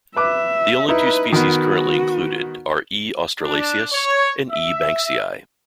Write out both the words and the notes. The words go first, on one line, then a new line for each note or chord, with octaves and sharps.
The only two species currently included are "E. australasius" and "E. banksii".
B4 E5 D6
D#4 E4 B4
D#3 B3 F#4
D4
C#5
E5